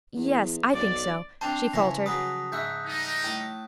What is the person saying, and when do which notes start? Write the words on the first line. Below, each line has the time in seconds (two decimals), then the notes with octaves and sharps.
"Yes--I think so," she faltered.
0.16 E2
0.73 B1 D5
1.41 C4 D4 C5 A5 F7
1.73 C#3 E3 F3 E4 C#5 A#6
2.06 F#3 G#4 B4 D#6 A#6
2.52 G#2 E5 C#6 E6 F#6 G6
2.86 G3 D#4
3.24 A2 A5